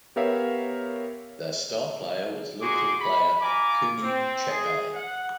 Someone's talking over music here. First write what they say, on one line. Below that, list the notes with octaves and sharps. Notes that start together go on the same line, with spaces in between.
Their star player was local player, Cooney Checkeye.
B3 G4 A#4 C#5 E5 F5
D#4 F#4 G#4 C5 C#6 D6
B5
F4 G#5 A#5 D6
C4
G#4
F#5